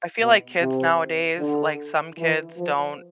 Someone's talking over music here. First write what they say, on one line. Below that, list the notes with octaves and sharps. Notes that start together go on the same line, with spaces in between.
I feel like kids nowadays, like, some kids don't
B2
C3
D3
E3
F3